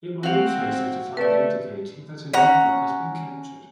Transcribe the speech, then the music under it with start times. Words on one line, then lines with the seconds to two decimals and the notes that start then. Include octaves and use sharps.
It will also set a flag indicating that an input has been captured.
0.23 C4 F#4 F5
1.17 A3 B4 D5
2.33 C#4 F#5 A#5